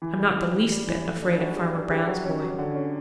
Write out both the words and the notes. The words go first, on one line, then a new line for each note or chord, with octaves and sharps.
I'm not the least bit afraid of Farmer Brown's boy.
E3
G3
E3
E3
G3
E3
A3
D4
F#3
G4
D4
G4
F#3
C#4
F#3
D3
C#4